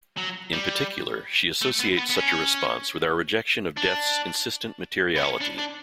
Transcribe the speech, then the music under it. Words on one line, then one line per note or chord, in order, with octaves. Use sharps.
In particular, she associates such a response with our rejection of death's insistent materiality.
F#3
G3
A3
B3
B3
B3
C#4
D4
B3
C#4
D4
D4